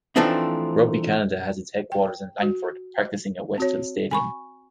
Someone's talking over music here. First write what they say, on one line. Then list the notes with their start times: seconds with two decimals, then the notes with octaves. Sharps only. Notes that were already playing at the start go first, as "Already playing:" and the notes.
Rugby Canada has its headquarters in Langford practicing at Westhills Stadium.
0.16 E3 F3 A3 C4 D4 D#4
1.92 G5
2.42 F#4
3.58 C4 F#4 C#5
4.11 G#5 B5 C#6